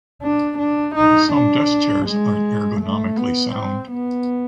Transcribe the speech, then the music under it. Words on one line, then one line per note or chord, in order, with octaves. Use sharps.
Some desk chairs aren’t ergonomically sound.
D4
D4
D#4
D4
G#3
A3
B3
C4
B3